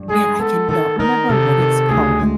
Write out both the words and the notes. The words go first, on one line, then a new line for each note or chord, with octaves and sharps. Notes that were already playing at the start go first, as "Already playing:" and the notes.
man, I cannot remember what it's called,
Already playing: G2
G#3 G#4
B3 A4
D#3 A4
D#4 A#4
C3 A4
D#3
D2 G#4
G#3